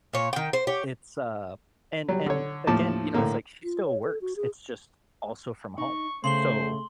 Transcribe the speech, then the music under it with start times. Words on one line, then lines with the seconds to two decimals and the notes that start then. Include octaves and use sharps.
It's, uh, and and, again, you know, it's like she still works, it's just also from home. So,
0.13 A#2 C#5
0.33 D#3 G5
0.53 C5
0.67 G4 C#5
2.09 F#3 G3
2.26 D3 C#5
2.67 D#2 A2 F3 A5 D6
3.14 A2 D3 A#3
3.64 F4
3.85 C#5
4.03 A4
4.21 F#4
4.36 G#4
5.78 D#4 C#6
6.24 C#3 A3 C5 C6 F#7 G7